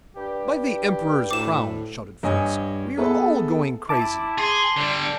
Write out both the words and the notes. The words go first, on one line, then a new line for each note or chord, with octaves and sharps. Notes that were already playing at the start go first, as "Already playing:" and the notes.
"By the Emperor's crown!" shouted Fritz, "we are all going crazy."
G2 G4
D2 A2 D6 E7
G2 C#5 D#5 G#5
B3 G#4 A4 B4 E5 A5
E4 A5 D6
G#4 C6
D3 G3